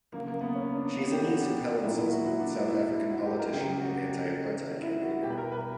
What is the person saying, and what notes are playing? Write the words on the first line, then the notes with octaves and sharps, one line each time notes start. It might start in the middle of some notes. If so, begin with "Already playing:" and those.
She is a niece of Helen Suzman, South African politician and anti-apartheid campaigner.
C#3 F#3 A#3
A#3
B3
C#4
D4
B3
G4
F#4
D4
A#2 F#3 E4
E4
F#4
F#4
D4
E4
E4
F#4
G4
A#4
C#3 F#3 G4
G4
F#4
E4
F#4
B2 G3 G4
B4
A#4
B4